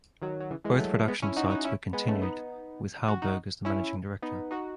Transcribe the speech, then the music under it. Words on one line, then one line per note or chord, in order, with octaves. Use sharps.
Both production sites were continued with Hauberg as the managing director.
D#3 F#3
F#3
C#3 E3
E3 G#3
F#3 A3
G#3 B3
C#4 E4
D#4 F#4
D#4 F#4
C#4 E4
G#3 B3
A3 C#4
B3 D#4
F#4
D#4 F#4
C#4 E4
B3 D#4
D#4 F#4